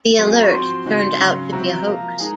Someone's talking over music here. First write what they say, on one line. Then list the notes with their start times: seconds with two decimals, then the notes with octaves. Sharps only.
The alert turned out to be a hoax.
0.19 F#3 C4 F#4 C6
0.27 G#5
0.36 A#5
0.43 C#6
0.51 F3 C4 F#4 C6
0.69 C6
0.85 C#3 G#3 C4 D#4 F#4
1.19 C#3 F#3 C#4
1.52 C3 F#3 C4 F#4 A#5
1.86 F3 A#3 F4 A#5
2.20 G#3 D#4 G#4